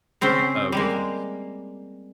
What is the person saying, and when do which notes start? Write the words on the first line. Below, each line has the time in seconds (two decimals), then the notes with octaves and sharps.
Oh okay, cool.
0.21 C#3 C4 C#4 C5
0.72 G3 G#3 A#3